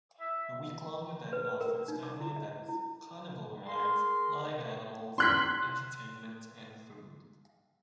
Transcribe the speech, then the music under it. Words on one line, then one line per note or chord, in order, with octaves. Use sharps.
The week long event offers family events, carnival rides, live animals, entertainment and food.
E5
B4
A#4
D#4
D6
E4
D#5
E4
G#4 A#4 C6
C6 F#6 B6